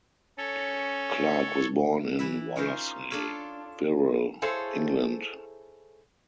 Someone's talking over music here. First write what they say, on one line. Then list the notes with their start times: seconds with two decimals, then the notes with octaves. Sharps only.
Clarke was born in Wallasey, Wirral, England.
0.38 C#4 A4 C#5
2.19 E3 E4 E5
2.56 C#4 D#4 F4 A#4 C5 E5
3.11 D4 F4 A4 C#5 F5
4.42 E4 G#4 A4 C5 C#5 F5